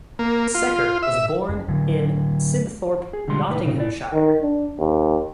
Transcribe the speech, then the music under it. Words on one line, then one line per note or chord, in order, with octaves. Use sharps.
Secker was born in Sibthorpe, Nottinghamshire.
A#3
F4
E5
F#1
D3 F#3
G#4
D3 G3 G#3 C6
C2 A2 D#3 A4 B4
A#2 C#3 D#4
E4 D5
D#3
D4
D#2